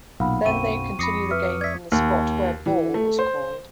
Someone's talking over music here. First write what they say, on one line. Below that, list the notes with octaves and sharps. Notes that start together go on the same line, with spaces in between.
Then they continue the game from the spot where "ball" was called.
B1 A#2 F5 F#5 B5
B1 F#2 C4 C#6 D#7
F2 B5 D6 D#6 A#6 C7 C#7
B4 E5 F6
D5 E5 G#6 B6
D#2
E3
A3
C5